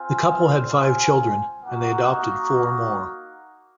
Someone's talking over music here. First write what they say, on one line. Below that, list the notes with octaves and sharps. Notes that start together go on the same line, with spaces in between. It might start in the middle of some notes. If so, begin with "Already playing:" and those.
The couple had five children, and adopted four more.
Already playing: C4 F4 G#5
G#5
A#3 D#4 F#4 F#5